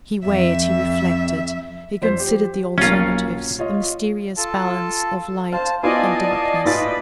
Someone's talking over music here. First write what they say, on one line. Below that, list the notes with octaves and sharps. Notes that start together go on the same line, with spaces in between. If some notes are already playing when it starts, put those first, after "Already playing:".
He weighed, he reflected, he considered the alternatives, the mysterious balance of light and darkness.
F2 E5
F2 C5 B6
G4
B1 A#3 C#4 F4
F4 C#5 D#5
F4 A4 A5
C5 F5 A5
B3 E4 F4 D5 D#5 F5 G#5 A5
A2 F4 B4 A6